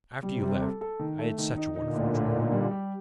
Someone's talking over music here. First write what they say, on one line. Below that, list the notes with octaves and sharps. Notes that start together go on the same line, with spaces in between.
After you left, I had such a wonderful dream.
C3 G3
G3
A4
A4
D#3
A3
D#3
D#4
A#2 D3 D#4
A2
A2
D#4
G3
G4